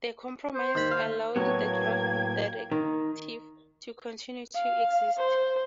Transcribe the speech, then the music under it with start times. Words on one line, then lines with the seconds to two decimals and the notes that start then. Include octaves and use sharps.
The compromise allowed the draft Directive to continue to exist.
0.54 C5
0.75 D#2 B5
0.91 F5
1.36 A2 F#3 A#3 B3 G5 G#6
2.71 D#3
4.54 F5
5.18 C5